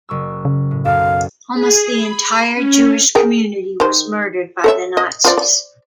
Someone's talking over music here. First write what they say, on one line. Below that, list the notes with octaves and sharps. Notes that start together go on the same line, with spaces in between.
Almost the entire Jewish community was murdered by the Nazis.
F#1 C#6 E6
C#3
A2
B1 F#2 A4 F5
G#4
B5
C#4
G#4 A#4 G5
D#3 C5
A4 C#5 E5
D#5
F4 C5 D5
D5